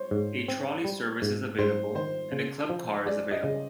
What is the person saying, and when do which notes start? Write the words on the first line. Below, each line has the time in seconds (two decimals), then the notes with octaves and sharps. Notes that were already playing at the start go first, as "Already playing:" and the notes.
A trolley service is available, and a club car is available.
Already playing: C5 C#5
0.11 G#2
0.48 C4
0.85 G3
1.22 G#2
1.59 G#2 C5
1.95 D#3 C5
2.32 C#3
2.69 F3
3.06 G#3 D5
3.31 D#5
3.43 C#3